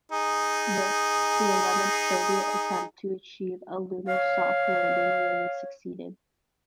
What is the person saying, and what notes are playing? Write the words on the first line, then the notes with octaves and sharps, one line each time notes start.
This, the eleventh Soviet attempt to achieve a lunar soft landing, nearly succeeded.
D#4 G#4
C#5 F5